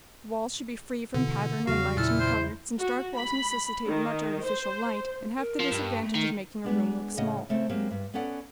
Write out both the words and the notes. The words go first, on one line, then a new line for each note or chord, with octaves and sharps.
The walls should be free from pattern and light in color, since dark walls necessitate much artificial light, and have the disadvantage of making a room look small.
B2 D3 E3
E2 C#3 F#3 B3 F#4 F5
A#2 E4 A4 F6
C5
F#4
B5
D#3
C5
A#4
F3
G2
A3
D#3
G#3 B3 D4
A2 C#3 D#5 F#5
C#3 A3 C4
F#3 G#3 A#3 C4 G4
G2
B3 C#4 A4 D5 F#5